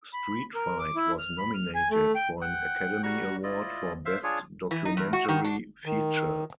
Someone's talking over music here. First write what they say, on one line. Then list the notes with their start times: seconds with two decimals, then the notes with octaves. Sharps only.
"Street Fight" was nominated for an Academy Award for Best Documentary Feature.
0.14 B5
0.55 A#4
0.79 D6
0.96 E4
1.19 F6
1.38 B5
1.54 F6
1.75 G#5
1.91 A3
2.15 G5
2.41 F#5 G5
3.03 G3 F#4 A#5 C#6
3.43 E4 F4 D5 D#5
4.05 C5 E5 F5
4.23 D4 F4 G#4 C#5
4.71 E3
4.85 D#4
4.97 E2
5.13 F#4
5.29 D#3
5.44 D4
5.85 D#3